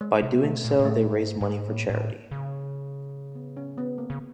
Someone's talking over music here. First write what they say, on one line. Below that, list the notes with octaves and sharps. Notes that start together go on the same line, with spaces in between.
By doing so they raise money for charity.
G#3
C3
B2 A3
A#2
A#2
A2 A3
A#2
A2
G#2
G#2
A2 A#3
A2
C#3
B3
C#4
B3
A#3
C#3